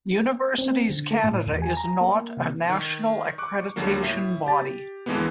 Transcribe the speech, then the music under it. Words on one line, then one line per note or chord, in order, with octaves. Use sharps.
Universities Canada is not a national accreditation body.
C4
D3
A3
A2
E2
G#5
A#5
A#3
C3
D#3
C#6 D6 F#6
D#2 D3 F#3 G3 A#3
A2 E5
G4 A6
D#2 D3 E3 G#3 A#3 B3